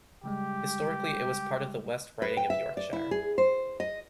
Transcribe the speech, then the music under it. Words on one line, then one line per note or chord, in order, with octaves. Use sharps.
Historically it was part of the West Riding of Yorkshire.
C#3 G3 G#3 G4
B4
G5
E5
D5
E4
G#4
C5
D#5